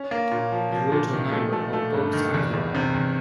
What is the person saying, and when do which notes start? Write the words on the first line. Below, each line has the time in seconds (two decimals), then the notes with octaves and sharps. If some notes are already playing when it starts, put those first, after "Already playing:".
He wrote a number of books as well.
Already playing: C#4
0.11 A#3
0.31 A#2
0.52 F3
0.72 F3
0.92 A#2
1.13 D#3
1.32 A3
1.53 A3
1.73 A3
1.94 G2
2.13 D#3
2.34 E2
2.53 E2
2.75 C3
2.94 E2